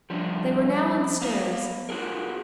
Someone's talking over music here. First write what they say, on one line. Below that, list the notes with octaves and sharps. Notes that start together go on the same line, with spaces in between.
They were now on the stairs.
F3 G3 C#4 D4
B3 F5
F4 F#4 G#4 A#4